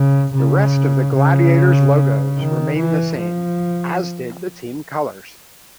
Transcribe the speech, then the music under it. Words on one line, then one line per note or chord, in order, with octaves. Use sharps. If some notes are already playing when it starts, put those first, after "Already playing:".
The rest of the Gladiators logos remained the same, as did the team colors.
Already playing: C#3
C#3
C#3
D#3
E3
F3